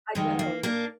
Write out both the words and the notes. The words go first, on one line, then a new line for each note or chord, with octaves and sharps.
I know.
F2 D#3 G3 G#3
A#3
A#3 D4